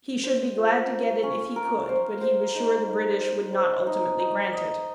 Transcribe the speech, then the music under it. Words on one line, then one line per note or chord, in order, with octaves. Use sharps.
He should be glad to get it if he could, but he was sure the British would not ultimately grant it.
C5
F4
A#3
C#4
A#4
C5
C5
D#4
D#4
C5
C5
D#4
D#4
D#5